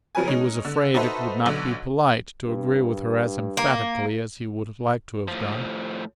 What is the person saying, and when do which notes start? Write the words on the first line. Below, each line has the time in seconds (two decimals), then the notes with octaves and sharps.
He was afraid it would not be polite to agree with her as emphatically as he would like to have done.
0.15 C#3 F3 F#3 B4 G#5
0.27 G#3 C#4 D#4
0.65 D3
0.94 D#4 F#4 A4 B4 C5 E5
1.46 B1 D3
2.47 G2
3.57 A#3
5.28 A2 F3